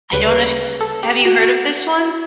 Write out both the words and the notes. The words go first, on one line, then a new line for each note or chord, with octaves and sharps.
I don't know if you've have you heard of this one?
D2 C#3 G3 B4
A4
G4
F#4